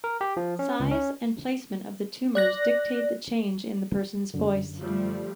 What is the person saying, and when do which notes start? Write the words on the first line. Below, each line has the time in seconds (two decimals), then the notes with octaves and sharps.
Size and placement of the tumors dictate the change in the person's voice.
0.04 A#4
0.21 G4
0.37 F3
0.59 C#4
0.80 C#2
0.91 C#4
2.35 D5 F#6 A#6
4.34 F#2 D3
4.81 F3 G3 A3